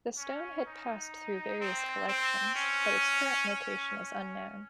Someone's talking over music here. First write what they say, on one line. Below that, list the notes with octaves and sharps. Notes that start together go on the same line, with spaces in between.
The stone had passed through various collections, but its current location is unknown.
C#4
D#4
C4
C4
C#4
C#4
C#4